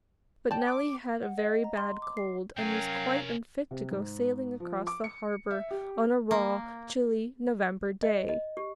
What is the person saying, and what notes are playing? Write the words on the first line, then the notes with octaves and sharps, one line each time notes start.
But Nellie had a very bad cold and was quite unfit to go sailing across the harbour on a raw, chilly November day.
D5 G5 A5
D6
F#5
D#5
A#5
C6
D6
C7
C3 F#3 C#4 A#4 F5 G5 G#5
C3
G#2
F3
D6
C#7
E5
G4
A#3
D#5
D#5
G4